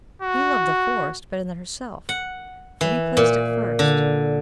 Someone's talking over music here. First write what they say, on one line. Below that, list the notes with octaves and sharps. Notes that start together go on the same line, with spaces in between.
He loved the Forest better than herself, for he placed it first.
F#4
F#5
E3
A#2
D3